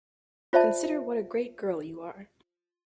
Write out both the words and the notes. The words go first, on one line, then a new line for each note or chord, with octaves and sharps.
Consider what a great girl you are.
F4 C5 D5 E5 A5